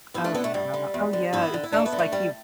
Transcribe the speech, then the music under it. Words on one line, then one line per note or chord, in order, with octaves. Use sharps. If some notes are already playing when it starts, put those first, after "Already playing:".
Oh, no, uh, oh, yeah, it sounds like you
G2 B3 E4
A3 D4
D3 B3 E4
A3 D4
G2 G3
D3
E2
D3
G2 B3 E4
D3
E4
G2 A3 D4
B3 E4
D3
A3 D4
G2 G3